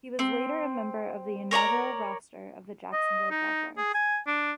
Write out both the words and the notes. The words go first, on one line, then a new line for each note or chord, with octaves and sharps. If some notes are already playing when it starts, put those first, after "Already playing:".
He was later a member of the inaugural roster of the Jacksonville Jaguars.
C4
A#4 C#5 D5 A#5
D#5
D#4
G#4
G#5
D4